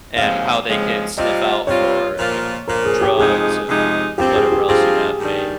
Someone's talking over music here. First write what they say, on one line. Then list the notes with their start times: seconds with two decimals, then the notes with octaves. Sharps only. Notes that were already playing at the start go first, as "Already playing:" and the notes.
and how they can sniff out for, you know, drugs and whatever else you have may
0.16 D#2 C#3 F3 G#3 C4 F5
0.67 D#2 C#3 F3 G#3 C4
1.17 C3 G3 C4 F4 D#5
1.67 C3 G3 C4 F4 C#5
2.18 A#2 F3 A#3 F4
2.67 A#2 F3 A#3 F4 A#4
2.85 G#4
3.01 G4
3.18 F2 C3 F3 G#3 D#4 G#4
3.68 F2 C3 F3 G#3 D#4
4.18 G2 F3 C4 F4 G4
4.36 G#4
4.52 G4
4.68 G2 F3 C4 F4 G#4
5.19 G2 D#3 G3